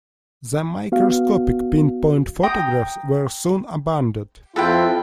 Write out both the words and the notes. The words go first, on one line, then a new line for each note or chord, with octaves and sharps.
The microscopic pin-point photographs were soon abandoned.
B3 F#4 F5
G5 A#5 D#6
F2 E4 F4 A4 B4 G5